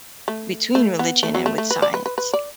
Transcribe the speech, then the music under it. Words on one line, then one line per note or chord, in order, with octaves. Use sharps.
between religion and with science.
A3
A3
B3
A3
F#3
A3
A3
B4
D5
B4
B4
B4
D5